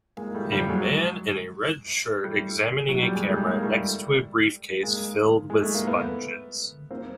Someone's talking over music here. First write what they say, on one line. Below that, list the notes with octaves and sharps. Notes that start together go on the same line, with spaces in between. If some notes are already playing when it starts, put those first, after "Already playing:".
A man in a red shirt examining a camera next to a briefcase filled with sponges.
G#3 A#3
A#3
G3 A3
F3 G3
F#3 G#3
G3 A3
F#3
G3
G#3
G3 A3
G#3 A#3
G3 A3
G#3 A#3
G#3
A3
A#3
A3 B3
A#3 C4